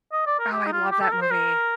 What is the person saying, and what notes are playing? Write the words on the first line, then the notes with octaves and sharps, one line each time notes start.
Oh, I love that movie.
D#5
D5
A#4
G4
D#4
F4
G4
A4
A#4
C5
A#4